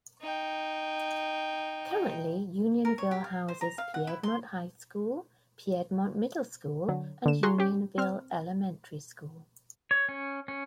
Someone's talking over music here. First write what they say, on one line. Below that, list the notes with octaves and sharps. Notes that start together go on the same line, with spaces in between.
Currently, Unionville houses Piedmont High School, Piedmont Middle School, and Unionville Elementary School.
D#4 G5
A#4
C#5
G4
F5
C5
A#5
F5
F#5
E4
C6
D3 F#3
D3 E7
F4 F#4 G#4 A#5 C6 C#6
C#4 G4
C4 F6
C#5
C#4
C#4